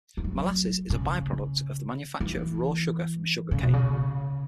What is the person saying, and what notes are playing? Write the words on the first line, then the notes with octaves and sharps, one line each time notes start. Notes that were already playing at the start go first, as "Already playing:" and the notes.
Molasses is a by-product of the manufacture of raw sugar from sugar cane.
E3
F#3
C#3
E3
C#3
B2
C#3